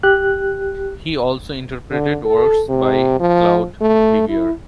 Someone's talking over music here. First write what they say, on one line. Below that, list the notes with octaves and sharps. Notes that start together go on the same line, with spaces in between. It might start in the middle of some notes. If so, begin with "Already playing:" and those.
He also interpreted works by Claude Vivier.
G4 F#6
D3
A4
C3
F3
A3
E4